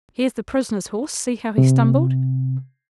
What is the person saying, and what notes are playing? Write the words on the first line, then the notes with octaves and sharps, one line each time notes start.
Here's the prisoner's horse, see how he stumbled?
C3